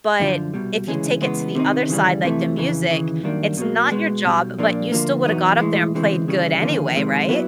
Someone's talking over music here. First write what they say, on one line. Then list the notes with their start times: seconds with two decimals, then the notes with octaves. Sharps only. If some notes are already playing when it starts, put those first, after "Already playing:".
but if you take it to the other side, like the music, it's not your job, but you still woulda got up there and played good anyway, right?
0.20 F#2 D3 F3
0.54 C2 B2 G3
0.87 D2 C#3 E3 G#3 C#4
1.21 C#3 E3 G#3 B3
1.55 C3 D#3 G3 C4 D#4
1.88 D#2 C#3 E3 G3
2.23 F2 C3 E3 A3
2.56 F2 C#3 E3
2.90 D#2 C#3 E3
3.23 F#2 D#3 G3 A#3 D4
3.58 B2 F#3 A#3
3.92 B2 G#3 B3
4.25 B1 B2 G3
4.59 A#2 F3 A#3 D4
4.92 D2 D3 F3 A#3
5.26 E2 B2 F#3 B3 D#4
5.60 B1 A2 E3 G#3
5.94 D2 C#3 E3 G#3 C4
6.28 D#2 C#3 E3 G3
6.62 D#2 D3 F3 A#3 C#4
6.95 F2 C3 D#3 G#3 C4
7.29 A#2 F#3 B3 E4